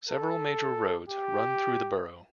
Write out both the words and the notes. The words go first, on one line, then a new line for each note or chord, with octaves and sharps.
Several major roads run through the borough.
A4
G4